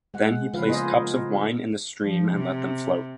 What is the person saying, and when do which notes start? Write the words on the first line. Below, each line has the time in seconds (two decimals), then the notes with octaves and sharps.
Then he placed cups of wine in the stream, and let them float.
0.14 G#3 F#5
0.53 C#3 F3 F4 B4 F5
0.67 A#3 B3 F4 G#4 C5 D#5
0.93 A#4
2.01 F3
2.35 C3